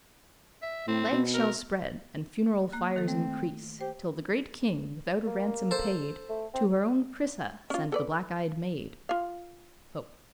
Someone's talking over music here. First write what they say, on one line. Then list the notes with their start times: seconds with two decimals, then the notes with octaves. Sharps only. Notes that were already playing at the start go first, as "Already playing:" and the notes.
"But plagues shall spread, and funeral fires increase, Till the great king, without a ransom paid, To her own Chrysa send the black-eyed maid." --Pope.
0.62 E5
0.88 A2 C4
1.12 B2
1.34 A#4
2.72 A#3 F#6
2.96 D#3 A4
3.08 A3 C4
3.81 G4 C5
5.27 A#3
5.71 A4 C5
6.29 A3
6.54 C4
7.70 C#4 F4
7.92 A4 B4 D5
9.09 F4 F5